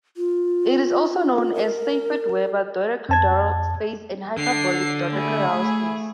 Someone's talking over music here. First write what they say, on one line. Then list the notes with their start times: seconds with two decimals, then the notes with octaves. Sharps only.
It is also known as Seifert-Weber dodecahedral space and hyperbolic dodecahedral space.
0.17 F4
1.54 A#4
3.09 F2 A5 G#6
4.38 D3 D4 C7
5.13 A3 E4 G#4 E5 B5